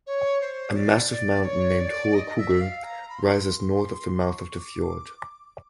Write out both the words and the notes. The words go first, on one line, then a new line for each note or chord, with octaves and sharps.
A massive mountain named Hohe Kugel rises north of the mouth of the fjord.
C#5
C5
D5
D5
C#5
D5
D#5
D#5
E5
F5
A#5
B5
C6
C#6
D6